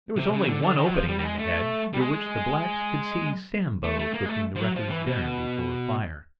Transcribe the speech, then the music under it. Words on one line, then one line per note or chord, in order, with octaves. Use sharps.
There was only one opening in the hedge, through which the blacks could see Sambo cooking the wreckers' dinner before a fire.
C3
C#3
D3
D3
D#3
F#3
F3
G3
G3
G#3
A3
G3
G#3
A3
A3
A#3
G#3
A3
F3
F#3
F3
E3
B2